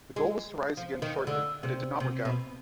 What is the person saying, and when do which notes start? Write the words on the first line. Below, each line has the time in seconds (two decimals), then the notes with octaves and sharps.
The goal was to rise again shortly, but it did not work out.
0.16 G#3
0.77 F3
1.02 D#3
1.27 D3
1.63 C3
2.00 C3
2.25 B2